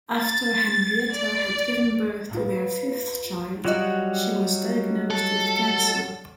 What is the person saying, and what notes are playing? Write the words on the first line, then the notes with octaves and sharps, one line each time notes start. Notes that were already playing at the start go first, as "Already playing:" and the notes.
After Henrietta had given birth to their fifth child she was diagnosed with cancer.
A6
D5
F4 B4
F#3 G3 F4 F#4 D#5
A4